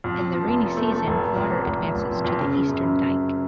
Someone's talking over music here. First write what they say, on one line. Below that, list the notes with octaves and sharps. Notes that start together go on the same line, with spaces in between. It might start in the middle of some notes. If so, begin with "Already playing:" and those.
In the rainy season, water advances to the eastern dike.
F2
F2
F3
F1
F3
A3
A3
F1
F1
F2
F1
F1
F1
F1
F2
F2
C#3
C#3
F#2
C#3